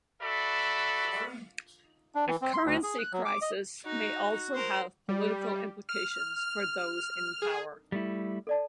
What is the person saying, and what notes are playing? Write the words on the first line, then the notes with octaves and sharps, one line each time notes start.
A currency crisis may also have political implications for those in power.
F#4 A4 D5 E5 B5
D4
E3
C4
C6
D2
G#4
F#6
F#3
D6
D#5
D#4 F#4
A#4 C5
G3
F6
G#4
G3 A3 E4
A4 D5 A5